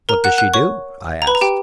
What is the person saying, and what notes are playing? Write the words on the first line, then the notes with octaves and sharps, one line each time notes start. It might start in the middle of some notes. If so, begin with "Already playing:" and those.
"What does she do?" I asked.
A#4 A#5
F#5 F#6
F#5 F#6
C#5 C#6
A#5
B4 B5
A#5
G4 G5